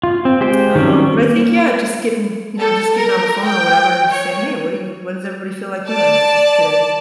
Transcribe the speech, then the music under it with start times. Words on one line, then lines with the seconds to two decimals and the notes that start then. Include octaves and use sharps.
um, but I think, yeah, just getting, you know, just getting on the phone or whatever and just saying, "Hey, what do you what does everybody feel like doing today?"
0.04 F4
0.25 C4
0.41 G#3 G4 C5 G5
0.75 D#3 F#3 G3 C4 C#4
1.18 A#3
2.60 A4
2.94 A#4
3.44 G5
4.11 C#5
5.89 D5 A5